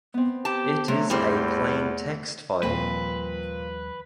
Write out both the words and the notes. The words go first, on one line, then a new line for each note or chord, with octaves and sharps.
It is a plain text file.
B3 C4
G4 A5
C3 F#3 A3
E2 A2 G3 C4
D#2 A#2 F3 G3 C4 B4